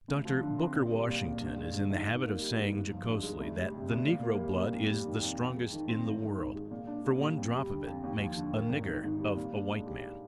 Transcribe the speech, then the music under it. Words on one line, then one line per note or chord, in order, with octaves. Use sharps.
Dr. Booker Washington is in the habit of saying jocosely that the negro blood is the strongest in the world, for one drop of it makes a "nigger" of a white man.
D2
F3
D3
C4
A#1
G3
A#2
A#1
G2
G#3
D3
D#4
G#2
A#3
G3
G#2
G1
F3
G2
G#3
D2
G3
C3
D2
A#2
A#3
G3
A#2
F2
G3
D#3
F2
F2
G#3
D#3
C4
G#1
D#3
G#2
G#3
A#2
D4
G3
A#2
F2
G3
D3
F2
D#2
F3
D3
A#3
G#1
D#3
G#2
G3
A#2
D4
G#3
G4